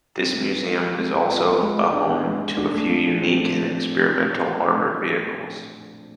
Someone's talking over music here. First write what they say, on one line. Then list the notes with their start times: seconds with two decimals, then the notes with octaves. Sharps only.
This museum is also a home to a few unique and experimental armoured vehicles.
0.17 C4
0.33 G#3
0.49 B4
0.65 F4
0.81 C4
0.97 G#3
1.13 B4
1.29 F4
1.45 B3
1.61 G#3
1.77 G#3
1.93 D4
2.09 B3
2.25 G#3
2.41 G#3
2.57 D4
2.74 A3
2.89 F3
3.05 G#4
3.22 C4
3.37 A3